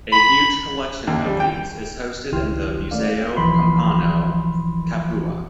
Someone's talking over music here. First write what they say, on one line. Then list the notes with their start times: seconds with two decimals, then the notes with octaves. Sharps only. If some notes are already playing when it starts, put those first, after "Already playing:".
A huge collection of these is hosted in the Museo Campano, Capua.
0.12 B5
1.07 D#2
1.26 G3
1.40 G5
2.32 C#2 D#3 E4 G4 C6 F6
2.91 A3 C#4 A#4 D5 F5
3.37 B1 E3 F3 B5 C6